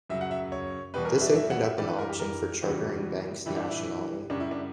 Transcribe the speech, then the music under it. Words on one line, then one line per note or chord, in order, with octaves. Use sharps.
This opened up an option for chartering banks nationally.
F#2 C#3 F#3 E5
F#5
E5
C#5
E2 B2 G3 B4
A#4
B4
E5
D5
E5
F#5
E5
G2 E3 G3 D5
B4
A#4
G4
A#4
E2 C#3 E3 G3 F#4
G2 E3 G3 E4
D4
E4
F#2 C#3 G3 D4
E4
D4